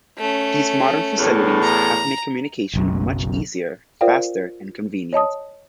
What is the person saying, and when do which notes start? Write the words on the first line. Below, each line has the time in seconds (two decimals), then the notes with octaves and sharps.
These modern facilities have made communication much easier, faster and convenient.
0.18 A3 C#4
1.18 E2 A2
1.63 A#5
2.73 F#1 B1 F#2
4.01 F4 A#4 C5 D5 F5 G5
5.13 C#5 D#5 A5 D#6